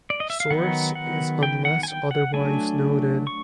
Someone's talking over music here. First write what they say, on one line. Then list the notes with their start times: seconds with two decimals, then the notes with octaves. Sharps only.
Source is unless otherwise noted.
0.10 D5
0.20 D#5
0.30 E5
0.40 F5
0.50 D#3 F#3 B3 D#4 F#5
0.95 F#5
1.43 G5
1.65 F#5
1.83 G#5
1.88 G5
2.11 F#5
2.34 F#3 A3 D4 G#5
3.27 C#6